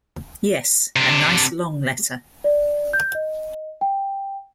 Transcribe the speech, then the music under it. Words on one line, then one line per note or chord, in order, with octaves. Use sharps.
Yes, a nice long letter.
C3 D4
D5
G6
D#5
G5